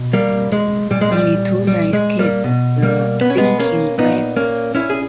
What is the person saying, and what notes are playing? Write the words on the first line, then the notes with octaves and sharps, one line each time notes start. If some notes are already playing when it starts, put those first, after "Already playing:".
Only two men escaped the sinking vessel.
Already playing: B2
G3 A#3
G#3
A#2 G3
G#3
G3
G3
G#3
G3 A#3
B2
G3 A#3
B3
C#4
G#3 B3
A#3 C#4
A#2 B3 D#4
A#3 C#4
C#4 E4
G#4